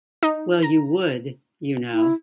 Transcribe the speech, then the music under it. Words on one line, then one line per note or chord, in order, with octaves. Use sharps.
Well you would, you know.
D#4
A#5
E4